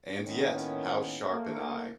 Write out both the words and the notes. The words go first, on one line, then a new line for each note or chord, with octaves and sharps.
And yet - how sharp an eye!
A2 D#3 A#3 B3 C#4
A3 A#3